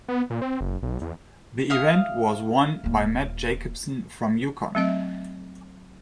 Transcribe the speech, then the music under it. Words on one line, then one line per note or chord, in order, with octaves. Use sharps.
The event was won by Matt Jacobson from Yukon.
B3
A#2
C4
F#1
B1
E2
E5 F5 D#6
D#1 A#2
F#3 A3 C4 D#5 E5